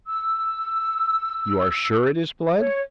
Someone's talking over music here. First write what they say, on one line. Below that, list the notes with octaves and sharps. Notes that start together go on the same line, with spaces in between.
"You are sure it is blood?"
E6
C#5